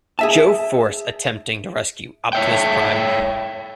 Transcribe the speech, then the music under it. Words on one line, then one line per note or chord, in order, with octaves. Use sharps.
Joe force attempting to rescue Optimus Prime.
G#4 E5 A5
C#5 E5 G5